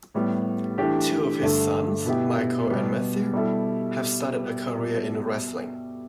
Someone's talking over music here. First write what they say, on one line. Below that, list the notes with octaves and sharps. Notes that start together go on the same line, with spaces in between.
Two of his sons, Michael and Matthew have started a career in wrestling.
A2 G3 B3
E3 A3 D4 G4
G2 D3 A3 D4 A4
B2 B3 E4 G4
B2 G3 B3
B2 G3 E4 A4